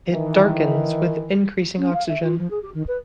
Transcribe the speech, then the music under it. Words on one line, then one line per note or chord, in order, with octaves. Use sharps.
It darkens with increasing oxygen.
D#3 E3
C#4
F5
E5
F4
F3
G#4
G4
D#3
B4